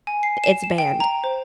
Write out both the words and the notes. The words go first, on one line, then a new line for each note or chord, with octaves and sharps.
it's banned.
G#5
C7
E7
E7
G5
A#5
C5